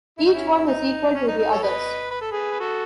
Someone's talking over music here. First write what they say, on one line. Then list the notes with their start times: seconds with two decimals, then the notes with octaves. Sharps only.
Each one is equal to the others.
0.18 E4
0.25 D#4
0.33 C#4 E4
0.67 D#4
1.15 C#4
1.27 D#4
1.39 D#4
1.52 A4 C#5
1.63 B4 D#5
2.11 B4
2.21 A4
2.31 G#4 B4
2.52 B4
2.60 F#4 A4